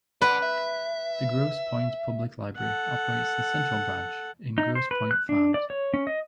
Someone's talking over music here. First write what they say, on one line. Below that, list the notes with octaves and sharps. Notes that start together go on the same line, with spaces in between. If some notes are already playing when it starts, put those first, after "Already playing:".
The Grosse Pointe Public Library operates the Central Branch in Grosse Pointe Farms.
B4 D5 F#5
E5
A4 F#5
D#4
C5
B4
F#6
D4
D5
C#5
C#4
D#5